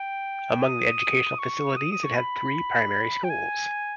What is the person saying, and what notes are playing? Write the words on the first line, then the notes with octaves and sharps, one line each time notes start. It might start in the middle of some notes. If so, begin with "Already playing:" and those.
Among the educational facilities it had three primary schools.
Already playing: G5
D#6
C#6
D#6
D#6
C#6
B5
G5
G#5